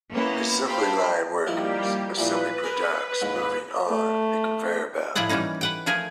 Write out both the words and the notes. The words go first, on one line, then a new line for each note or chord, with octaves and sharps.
Assembly line workers assemble products moving on a conveyor belt.
A#3 B3 C#4 E4
C5 F5 G5 A5 B5
D#3 F3 G3 A#3 E4 G4
A#2 E3 F3 B4
G#4 A#4 C5
D#2 G#2
A3
A2 F3 E4 G#4 D5 F#5
E3 G3 A#3 C#4 D#4
B4 F#5 G5
F3 A3 G#4 A#4 G#5